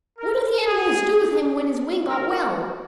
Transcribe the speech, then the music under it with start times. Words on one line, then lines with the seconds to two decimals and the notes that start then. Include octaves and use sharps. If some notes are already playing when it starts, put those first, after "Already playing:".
"What did the animals do with him when his wing got well?"
0.18 A#4
0.66 G#4
2.08 A#4